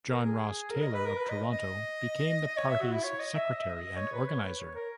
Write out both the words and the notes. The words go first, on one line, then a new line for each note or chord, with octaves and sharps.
John Ross Taylor of Toronto became the party's secretary and organizer.
A#4
G#4
A#4
D#5
B4
A#4
B4
D#5
D#5
D#5
C#5
E5
F#4
E4
C#5
D#5
E5
D#5
E5
D#5
C#5
B4
C#5
B4
C#5
A#4